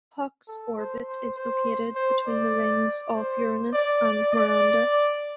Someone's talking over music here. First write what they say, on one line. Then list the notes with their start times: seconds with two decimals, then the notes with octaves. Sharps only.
Puck's orbit is located between the rings of Uranus and Miranda.
0.48 A4
0.78 C5
1.08 C5
1.37 C5
1.96 C5
2.26 D5
3.15 C5
3.74 D5
4.04 D5
4.33 D5